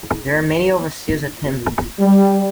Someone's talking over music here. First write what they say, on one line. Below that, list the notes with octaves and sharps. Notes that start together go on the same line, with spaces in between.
There are many overseas attendees.
G3